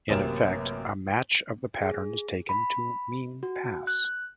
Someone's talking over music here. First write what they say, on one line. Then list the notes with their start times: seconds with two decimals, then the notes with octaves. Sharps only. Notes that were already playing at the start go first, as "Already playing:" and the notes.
In effect, a match of the pattern is taken to mean pass.
0.09 A1 F#2 C3 A#3 E7
1.82 G#4
2.49 B5
3.43 F#4
3.87 F#6